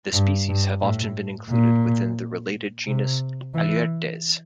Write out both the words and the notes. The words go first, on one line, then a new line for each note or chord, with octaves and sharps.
The species have often been included within the related genus "Aleurites".
G2
G2
A2
A#2
C3
E3